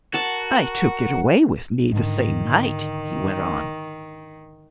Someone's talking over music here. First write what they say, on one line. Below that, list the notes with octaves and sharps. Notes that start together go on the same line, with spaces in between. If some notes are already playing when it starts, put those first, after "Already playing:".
"I took it away with me the same night," he went on.
F#4 A#4 F#5 A5
G#2 D3 D#3